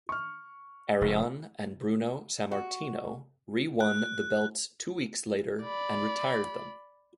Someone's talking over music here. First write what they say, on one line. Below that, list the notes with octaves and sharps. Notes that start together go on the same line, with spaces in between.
Arion and Bruno Sammartino rewon the belts two weeks later, and retired them.
C#6 F6
F1
F#4
F#6
D5 B5